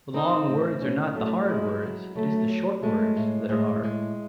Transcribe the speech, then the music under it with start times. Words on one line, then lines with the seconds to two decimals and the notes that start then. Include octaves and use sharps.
The long words are not the hard words, it is the short words that are hard.
0.14 C4 D#4
0.48 A2
0.81 A2 C#4
1.15 F#3 A3
1.49 G#3 E4
1.82 F#3
2.15 F#3 A3
2.49 F#3
2.82 G#3 A3
3.16 A2
3.49 A2 G#3
3.83 G#3